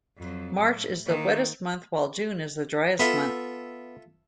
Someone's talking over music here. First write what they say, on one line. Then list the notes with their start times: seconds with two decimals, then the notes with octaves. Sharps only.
March is the wettest month while June is the driest month.
0.18 F2 F#3
0.57 A2
1.06 D#3 A#3
2.99 B3 F4 A4 E5